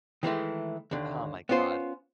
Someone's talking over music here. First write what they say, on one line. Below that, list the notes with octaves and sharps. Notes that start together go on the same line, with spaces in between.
oh, my god.
D#3 E3 G#3 A3
D#2 D3
B3 C#4 F4 C5